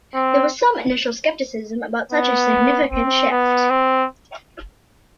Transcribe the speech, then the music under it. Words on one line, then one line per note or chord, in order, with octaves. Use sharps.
There was some initial skepticism about such a significant shift.
C4
B3
C4
B3
C4